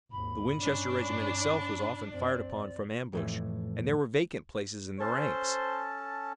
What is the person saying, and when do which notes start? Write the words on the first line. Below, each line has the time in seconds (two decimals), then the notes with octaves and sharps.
The Winchester regiment itself was often fired upon from ambush, and there were vacant places in the ranks.
0.11 G#1 D#2 B5
0.60 G2 C#4 D4
2.09 F#2 C4 D5
3.13 F2 A2 E3
5.00 C#4 A4 C5 A5